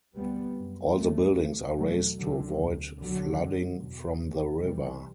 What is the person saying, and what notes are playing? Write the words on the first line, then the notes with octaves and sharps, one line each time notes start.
All the buildings are raised to avoid flooding from the river.
D2 C3 G3 B3
F#2
D2 C3 F#3 A3
D2 C3
E2 B2 F#3 A3
C2 B2 D3 F#3
D2 C3
C2 B2 D3 F#3
F#2
E2 B2
E2 C3
C2 C3 E3 G3